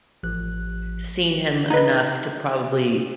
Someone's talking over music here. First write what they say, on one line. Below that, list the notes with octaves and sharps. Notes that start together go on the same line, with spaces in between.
seen him enough to probably
A1 F3 F#6
D#4 B4